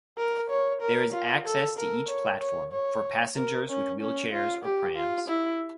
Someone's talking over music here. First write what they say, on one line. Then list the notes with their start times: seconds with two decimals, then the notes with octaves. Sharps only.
There is access, to each platform, for passengers with wheelchairs or prams.
0.18 A#4
0.50 C#5
0.82 A#4
1.13 F4
1.46 A4
1.78 A#4
2.09 C#5
2.41 C#5
2.73 C#5
3.37 A#4
3.69 C#4
4.01 C#4
4.32 F4
4.64 G4
4.96 F4
5.28 E4